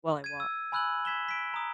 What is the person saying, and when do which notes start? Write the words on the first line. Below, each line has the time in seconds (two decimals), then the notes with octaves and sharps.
while I walk.
0.24 G#6 D#7
0.40 E6
0.72 G#5 B5 E6 F#6 G#6 F#7
1.05 G#6 B6 E7 G7
1.29 B6 D7
1.54 A#5 D#6